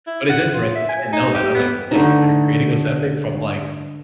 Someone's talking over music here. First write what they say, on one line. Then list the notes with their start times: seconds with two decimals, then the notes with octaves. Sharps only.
But it's interesting. I didn't know that. I was like, "Wait, they're creating Ozempic from, like,
0.07 E4
0.29 F#5
0.54 F4
0.75 E5
0.89 G#5
1.12 D#4
1.34 G4
1.54 B3
1.91 D3 A3 D#4